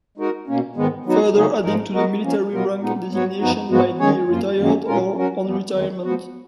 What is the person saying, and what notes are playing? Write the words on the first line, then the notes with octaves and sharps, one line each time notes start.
Further adding to the military rank designation might be "retired" or "on retirement".
G#3 D#4 F#4 A#4
B2 A#3 C#4
G#2 D#3 G#3 B3
F#3 B3 D#4 F#4
C#3 F#3 A#3 D#4 G#4
G#2 F3 G#3 D#4 A#4
G#3 B3 F#4 A#4 D#5
F3 A#3 C#4
B2 F#3 B3 F4 A#4
A#2 G#3 B3 D#4
G#2 F#3 B3 F#4 C#5
F#2 F3 B3 D#4 F#4
G#2 F3 G#3 B3 F#4
D#3 G#3 C#4 G#4 C#5
F#2 F3 A#3 F4
F#2 D#3 F#3 A#3 C#4
A#2 G#3 C#4 F4 A#4
F#3 C#4 F#4 A#4
F#2 F3 B3
F2 D#3 G#3
F3 B3 F#4